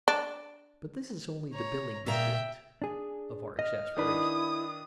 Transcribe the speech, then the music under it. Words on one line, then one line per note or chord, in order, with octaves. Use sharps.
But this is only the Billingsgate of our exasperation.
D4
C#5 A#5
A#2 C#3 E5 G5 A#5
D4 G#4
D#5 F6
D#3 D4 E4 B4 D#6